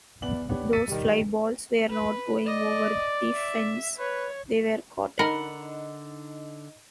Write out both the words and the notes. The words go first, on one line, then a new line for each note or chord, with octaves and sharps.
Those fly balls were not going over the fence, they were caught.
E2 B3 D5 F#7
B3 D4 G4 C#5
E6 A6 B6 C#7 D#7
D#3 G3
B4
D5 D#5
E5
B4 C#5
D3 D#4 A#4 F#5 B5